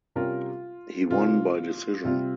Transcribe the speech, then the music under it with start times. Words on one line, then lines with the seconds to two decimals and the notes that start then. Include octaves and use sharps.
He won by decision.
0.15 C3 G3 C#4 F4 G4 A#4
1.11 C3 G3 C#4 F4 G4 A#4
2.05 C3 G3 C4 F4